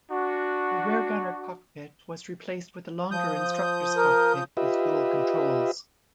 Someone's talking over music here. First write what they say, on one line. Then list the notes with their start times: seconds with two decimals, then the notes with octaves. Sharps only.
The rear gunner' cockpit was replaced with a longer instructor's cockpit with dual controls.
0.11 D4 F#4
3.11 F3 D#6 G6
3.97 A#4
4.57 F4 G4 B4 D#5 E5